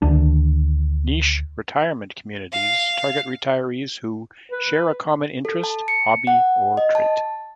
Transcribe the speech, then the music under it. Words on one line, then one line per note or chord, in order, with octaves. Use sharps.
Niche retirement communities target retirees who "share a common interest, hobby or trait".
D2 D#3 D4
F5
B4
A4
A5
C#7
F#5
D#5
A5